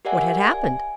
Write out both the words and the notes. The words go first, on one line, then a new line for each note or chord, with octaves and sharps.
What had happened?
G4 A#4 D5 E5 F#5 G#5
G#5